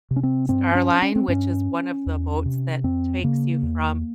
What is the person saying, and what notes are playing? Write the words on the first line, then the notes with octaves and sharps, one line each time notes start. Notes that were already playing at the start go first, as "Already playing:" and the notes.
Star Line, which is one of the boats that takes you from
C3
C#4
C4
G2 C4
C#4
C#4
C4
G2 C#4
E2
C3
F2 C4
C#3 A#3
E2